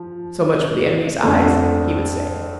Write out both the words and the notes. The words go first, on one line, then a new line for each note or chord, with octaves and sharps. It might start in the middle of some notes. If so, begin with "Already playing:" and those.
So much for the enemy's eyes, he would say.
Already playing: F3
F2 D3 A3 D4